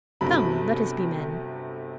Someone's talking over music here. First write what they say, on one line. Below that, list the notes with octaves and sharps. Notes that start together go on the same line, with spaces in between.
Come, let us be men.
G1 C3 F#3 B5